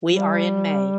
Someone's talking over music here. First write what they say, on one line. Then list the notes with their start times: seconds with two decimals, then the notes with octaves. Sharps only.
We are in May.
0.10 G3